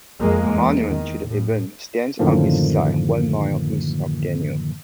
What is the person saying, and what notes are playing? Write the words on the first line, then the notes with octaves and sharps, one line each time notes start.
A monument to the event stands on its site one mile east of Daniel.
F2 G#3 A#3
E2
D#3
A2
F#2 A2 D3 D#3 F3 A#3